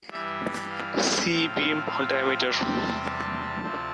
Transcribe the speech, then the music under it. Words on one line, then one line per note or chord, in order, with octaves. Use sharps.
See beam diameter.
G2 E3 G3 E5
F5
A2 F3 C4
F5
E2 C3 G3 C4 G5
A5
A5
D2 C3 F3 C4